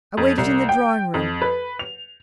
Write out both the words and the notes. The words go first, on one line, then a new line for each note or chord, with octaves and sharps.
I waited in the drawing-room.
F2
C2
G5
F2
B4
F7